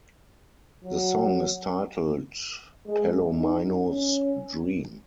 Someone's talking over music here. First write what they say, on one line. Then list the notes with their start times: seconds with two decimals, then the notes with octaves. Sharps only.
The song is titled "Palomino's Dream".
0.84 F#3
2.87 G#3
3.37 D#4
3.88 C#4